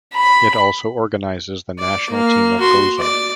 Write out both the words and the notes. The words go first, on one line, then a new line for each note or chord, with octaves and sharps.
It also organises the national team of Gozo.
B5
D5
A#3 F5
F#4 C6
D5